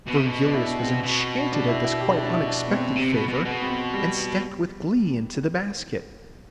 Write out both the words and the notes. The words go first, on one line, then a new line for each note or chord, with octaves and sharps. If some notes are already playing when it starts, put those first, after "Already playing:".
Virgilius was enchanted at this quite unexpected favour, and stepped with glee into the basket.
B2
C3
B2
D4
E4
C4
B2
D4
E4
E4
G4
D4
E4
D4
E4
D4
B3
C4
C3
B2
B2
B2 B3
C4
B3
G3